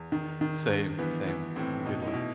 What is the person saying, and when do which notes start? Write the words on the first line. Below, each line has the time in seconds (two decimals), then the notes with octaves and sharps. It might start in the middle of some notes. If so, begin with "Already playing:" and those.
Same, same. Have a good one.
Already playing: E2
0.12 D#3
0.41 D#3
0.69 G2
0.99 E3 B3
1.27 E3 B3
1.56 A2 C4
1.86 B2 D#4
2.02 D#4
2.07 E4
2.14 B2